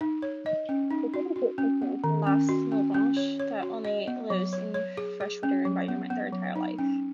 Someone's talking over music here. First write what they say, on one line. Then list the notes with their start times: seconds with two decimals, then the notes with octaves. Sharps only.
The second group contains elasmobranchs that only lives in freshwater environment their entire life.
0.01 D#4
0.22 C#5
0.46 D#5
0.69 C#4
0.91 D#4
1.14 F#4
1.36 F#4
1.58 C#4
1.82 B3
2.04 D#3
2.27 C#4
2.49 F#4
2.72 C#4
2.94 C#4
3.17 C#5
3.40 C#5
3.62 F#4
3.85 D#5
4.07 B3
4.30 F#3
4.53 C#5
4.74 C#5
4.97 G#4
5.21 G#4
5.43 C#4
5.65 F#3
5.88 B3
6.10 B3
6.33 F#3
6.56 D#4
6.79 C#4